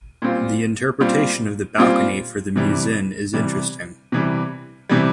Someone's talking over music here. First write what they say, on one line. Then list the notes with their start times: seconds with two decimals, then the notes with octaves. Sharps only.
The interpretation of the balcony for the muezzin is interesting.
0.22 A#2 G3 C4 F4
1.00 A#2 G3 C4 F4
1.78 A#2 G3 C4 F4
2.56 C3 E3 G3
3.33 C3 E3 G3
4.12 C3 E3 G3
4.89 C3 E3 G3